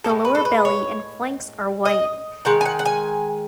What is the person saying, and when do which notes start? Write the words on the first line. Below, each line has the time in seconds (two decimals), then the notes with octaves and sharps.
The lower belly and flanks are white.
0.04 A2 G#3 A4
0.25 B4
0.35 A4
0.45 B4
0.65 C#5
1.85 D#5
2.45 D#3 G#3 F#5
2.61 G#5
2.65 F#5
2.79 F#5
2.85 G#5